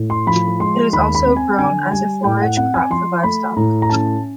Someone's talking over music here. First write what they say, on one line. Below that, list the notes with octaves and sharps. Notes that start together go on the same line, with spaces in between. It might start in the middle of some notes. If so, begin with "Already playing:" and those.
It is also grown as a forage crop for livestock.
Already playing: A2
C6
F3 B5
G#3 C6
D#2 B5
B5
C4
G#5
D3 G#5
G3 G#5
A2 G5
F#5
C4 F#5
G#5
F3 C6
A3 B5
A2 A#5
A#5
C#4 A5